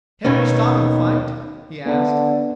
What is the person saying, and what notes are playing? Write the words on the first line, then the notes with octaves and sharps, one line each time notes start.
"Can't we stop and fight?" he asked.
D#2 B2 D#3 C#4
D3 B3 D4